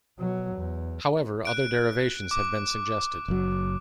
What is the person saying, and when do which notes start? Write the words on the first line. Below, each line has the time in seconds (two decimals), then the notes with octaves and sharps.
However, other derivations have been suggested.
0.19 B2 F#3
0.55 E2
1.45 F#6 D7
2.31 D6
3.28 F#1 F#3